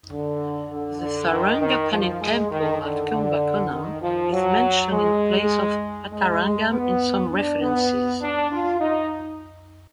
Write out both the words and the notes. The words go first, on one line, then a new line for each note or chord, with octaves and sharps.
The Sarangapani temple at Kumbakonam is mentioned in place of Vatarangam in some references.
D3
D3
D3
D#3
D#3
F3
G#3
D#3
D3
D3
D#3
F3
F#3
G#3
G#3
B3
D4
B3
D4
F4
D#4